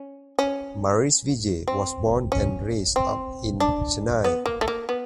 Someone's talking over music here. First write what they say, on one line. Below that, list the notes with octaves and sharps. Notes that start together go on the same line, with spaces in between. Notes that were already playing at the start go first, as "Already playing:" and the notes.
Maris Vijay was born and raised up in Chennai.
Already playing: C#4
C#4
C4
C#4
C4
D4
B3
A#3
A3
A#3
B3